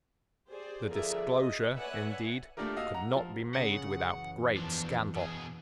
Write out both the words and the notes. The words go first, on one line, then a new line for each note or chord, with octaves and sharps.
The disclosure, indeed, could not be made without great scandal.
G4 G#4 C5 D5
D3 F3 G#4 A#4 D5 E5
F#4 D#5
B4 C#5 D5 E5 F#5 G#5
A3 A#3 D4 F4 G4 A#4
F#4 D#5 F5 E6
F#5 A#5
F3
C#3 F#5
F#2 E3
E2 F3 D4
B2 G#4